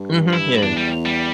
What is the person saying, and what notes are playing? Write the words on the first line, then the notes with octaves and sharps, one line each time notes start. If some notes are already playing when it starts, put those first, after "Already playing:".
Mhm, yeah.
Already playing: G2
E4
E2 D4
G3
G3